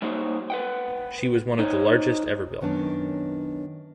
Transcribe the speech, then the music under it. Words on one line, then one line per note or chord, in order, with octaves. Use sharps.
She was one of the largest ever built.
G3 A#3 D#4 F#4 C5 C#5
B4 F#5 G5
D#4 C5 C#5 D#5
F#2 D#3 B3 C#4 D4